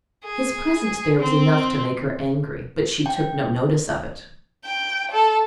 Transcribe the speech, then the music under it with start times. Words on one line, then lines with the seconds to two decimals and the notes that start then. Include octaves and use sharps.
His presence there was enough to make her angry, but she took no notice of it.
0.25 G#4
1.19 C4
3.06 G5
4.65 G5
5.12 A4